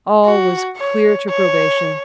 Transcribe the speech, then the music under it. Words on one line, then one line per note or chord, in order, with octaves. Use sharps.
All was clear to probation.
F#4
C#5
C#5